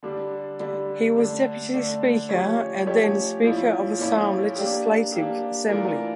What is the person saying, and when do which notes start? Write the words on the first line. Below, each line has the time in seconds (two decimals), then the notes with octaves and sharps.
He was Deputy Speaker and then Speaker of Assam Legislative Assembly.
0.03 D3 G3 D4
0.59 D3 G3 D4
1.16 D3 A3 D4
1.73 D3 A3 D4
2.29 F3 A3 C#4 G4 C#5
2.86 F3 A3 C#4 G4 C#5
3.43 A#2 F3 C#4 E4
3.99 A#2 F3 C#4 E4
4.56 A#3 D4 G4
5.12 A#3 D4 G4
5.69 E3 A3 D4 F4 A#4